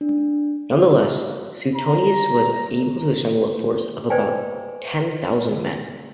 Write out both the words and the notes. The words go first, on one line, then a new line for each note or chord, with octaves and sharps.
Nonetheless, Suetonius was able to assemble a force of about ten thousand men.
D4
A#5
B4 C5 D5 D#5 G5 G#5